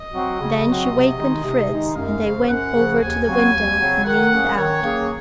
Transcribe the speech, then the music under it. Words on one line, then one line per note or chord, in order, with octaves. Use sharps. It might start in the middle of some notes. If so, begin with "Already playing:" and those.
Then she wakened Fritz and they went over to the window and leaned out.
Already playing: D#5
F#3 C4 F#4
C#3
F#3 C4 F#4
C3
D#3 G#3 D#4
C3
D#3 G#3 D#4
F#2 F5
C#3 F3
F#2 F#5
C#3 F3
D#2 G#5
C#3 F#3 C4 F#4
D#2
C#3 F#3 C4 F#4
D#3 F#5
F#3 A#3 C#4 G#4
D#3 C#5
F#3 A#3 C#4 G#4